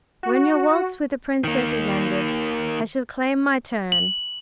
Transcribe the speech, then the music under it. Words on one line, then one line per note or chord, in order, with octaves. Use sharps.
When your waltz with the Princess is ended I shall claim my turn.
F#4
D#3 A#3
F#7